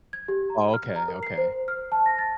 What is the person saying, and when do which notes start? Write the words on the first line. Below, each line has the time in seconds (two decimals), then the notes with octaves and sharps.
Oh, okay, okay.
0.13 G#6
0.28 G4
0.50 A#5
0.74 F6
0.96 A#5
1.08 A#4
1.23 C7
1.37 C5
1.68 F6
1.92 A5
2.06 A#6
2.19 A6